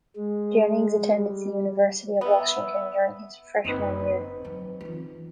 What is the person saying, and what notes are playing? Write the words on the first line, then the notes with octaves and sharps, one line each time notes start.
Jennings attended the University of Washington during his freshman year.
G#3
G3
B3 E5
F#1 C4 D#4 B4
F#3
E3 F4